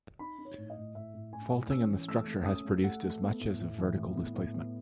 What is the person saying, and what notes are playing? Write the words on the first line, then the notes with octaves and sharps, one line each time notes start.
Faulting in the structure has produced as much as of vertical displacement.
D#4 B5
D#4
C#5
A2
D#5
A2
A2 E5
A2
A2 G#5
A2
C#4 E6
E3
A3 E6
A3
C#4 D#6
A3
A3 F#5
A3
B3
A2
A2
E3
A2
B3
A2
B3